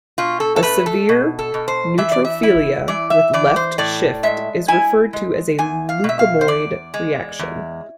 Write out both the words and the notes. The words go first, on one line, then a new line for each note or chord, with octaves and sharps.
A severe neutrophilia with left shift is referred to as a leukemoid reaction.
B2 F4
A4
A4
A3 B4
A4
B2
A4
B2
C5
E3 E5
D5
E5
E4
E3 D5
E5
E3 D5
C5
A2 D5
G#3 E5
E4 G#5
G#3
E2 G#5
F5
B2 E5
F5
C5
E2 D5
G#3
E2